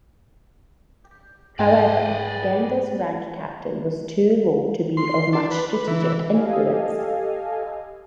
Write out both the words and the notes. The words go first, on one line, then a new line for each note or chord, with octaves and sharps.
However, Genda's rank-captain-was too low to be of much strategic influence.
G#2 G#4 B4 D5 D#5 F#5 G5
C6
D4
B4
B4
E3
G4 A4 D#5 F5 G#5